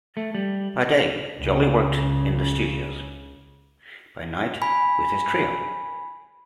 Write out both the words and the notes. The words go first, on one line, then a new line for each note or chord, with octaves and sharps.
By day, Jolly worked in the studios; by night, with his trio.
A3
G3
C#2 C#3
G#5 B5